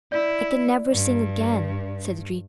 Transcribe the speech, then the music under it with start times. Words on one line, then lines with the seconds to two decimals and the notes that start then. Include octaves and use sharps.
"I can never sing again," said the dream.
0.12 E4 D5
0.92 G2